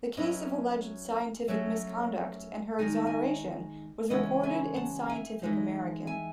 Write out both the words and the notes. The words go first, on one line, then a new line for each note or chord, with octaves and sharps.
The case of alleged scientific misconduct and her exoneration was reported in "Scientific American".
F#3 C#4 E4 B4 D#5
F#3 A3 C#4 C#5 E5
D#3 G#3 D#4 G#5
A5
E5 G#5
C#3 E3 G#3 C#4 E4 D#5 F#5
E5 G#5
F#5 A5
E5 G#5
E3 G#3 D#4
E5 G#5